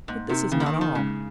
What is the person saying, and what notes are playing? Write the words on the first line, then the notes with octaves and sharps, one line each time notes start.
But this is not all.
G#2 A#3
C3 D#4 A#4
C#3 A#3
F3
D#3
D#4 A#4
D#3
C#3 G#3